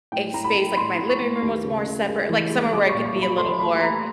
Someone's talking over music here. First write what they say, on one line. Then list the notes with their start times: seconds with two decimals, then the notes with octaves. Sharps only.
a space, like, my living room was more separate like, somewhere where I could be a little more
0.12 A2 G5
0.34 A2 A#5
0.44 B5
0.55 A2
0.77 A2 C6
0.99 A2
1.09 C#6
1.21 A2
1.42 D#2
1.64 C#3
1.86 C#3
2.08 G#3
2.29 E3
2.51 G#3
2.73 C2 D6
2.89 C#6
2.94 A#2
3.06 C#6
3.16 C2
3.22 B5
3.37 A3 C6
3.59 A3 B5
3.81 A3 A#5